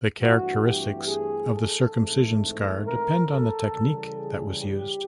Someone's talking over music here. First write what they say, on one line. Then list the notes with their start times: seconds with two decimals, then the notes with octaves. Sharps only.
The characteristics of the circumcision scar depend on the technique that was used.
0.21 G2 E3 A3 C4 F#4
0.64 G4
1.08 G#4
1.52 A4
1.96 G#2 E3 A3 C4
2.84 A#4
3.27 A4
3.71 C#3 E3 G3
4.15 G#4
4.59 G4